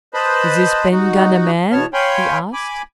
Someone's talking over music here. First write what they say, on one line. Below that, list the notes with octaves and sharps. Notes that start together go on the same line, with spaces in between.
"Is this Ben Gunn a man?" he asked.
B4 C5 D#5 A5 B5
D#4 F#4
E2 B2 B3 C#5 A5 F6
C#5 F5 G5 G#5 B5 C6
G#5 B5 D6